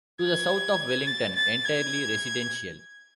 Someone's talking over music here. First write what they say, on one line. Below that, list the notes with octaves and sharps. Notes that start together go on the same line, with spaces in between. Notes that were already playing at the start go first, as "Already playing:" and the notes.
To the south of Wellington, entirely residential.
G#6
A6
A6
G#6